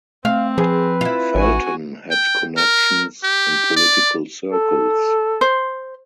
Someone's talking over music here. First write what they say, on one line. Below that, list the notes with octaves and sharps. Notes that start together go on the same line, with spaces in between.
Felton had connections in political circles.
A3 C4 F5
F3 G#4 B4
E4 F4
A1 F#4 G#5
G5
A#4
G4
D5
A4
C5